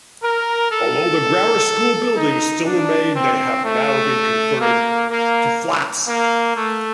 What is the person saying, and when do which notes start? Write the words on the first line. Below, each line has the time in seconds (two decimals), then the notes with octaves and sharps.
Although the Grammar School buildings still remain they have now been converted to flats.
0.22 A#4
0.70 A4
2.17 D#4
2.66 D4
3.15 C4
3.63 A3
4.61 A#3
5.09 A#3
6.06 A#3
6.55 A3